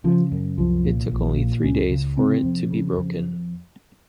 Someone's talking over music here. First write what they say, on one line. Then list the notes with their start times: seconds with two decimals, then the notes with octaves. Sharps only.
It took only three days for it to be broken.
0.04 C#3 F3
0.32 F#2
0.57 C2 F3
0.84 A#2
1.11 A#1
1.37 A#2
1.63 C#2 C#4
1.91 C#3
2.17 C3 C4
2.43 F2
2.70 C#3
2.97 F2